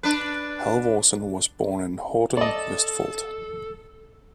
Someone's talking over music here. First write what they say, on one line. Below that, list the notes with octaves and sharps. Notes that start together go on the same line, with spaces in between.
Halvorsen was born in Horten, Vestfold.
D4 B4
A4 D5 D#5